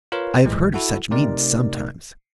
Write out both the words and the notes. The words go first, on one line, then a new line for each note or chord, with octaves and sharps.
I have heard of such means sometimes.
F4 A#4 B4 C#5 F5
B1 A#2 E3 G#3
E4 F#4 A4 F#5
C3 A3 D#4 A#4 D5